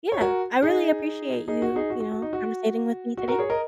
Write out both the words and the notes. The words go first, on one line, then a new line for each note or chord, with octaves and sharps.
yeah, I really appreciate you, you know, conversating with me today.
C#5
F#4 A#4
D#4 G#4
D#4 G#4
F#4
D#4 G#4
F#4
F#4
F#4
D#4
F#4
F#4
F#4 A#4
G#4 C#5
A#4 D#5